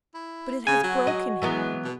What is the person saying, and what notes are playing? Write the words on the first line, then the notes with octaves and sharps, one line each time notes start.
But it has broken him.
E4
C#3 G#4 G#5
F#3 F#4
D#5
E3 F#3 G#3 B3
B2